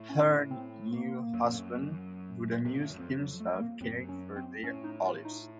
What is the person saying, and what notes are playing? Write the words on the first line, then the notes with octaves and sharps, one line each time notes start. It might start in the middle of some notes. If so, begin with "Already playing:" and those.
Her new husband would amuse himself caring for their olives.
Already playing: A2
C#4
C4
A#3
F#2
F2
F#2
C3
A#2
A2
F#2
F2 C4
F#3
A3
A#3
F#2 C4
C#4
C4
A2 C#4
D#4
F4
D#4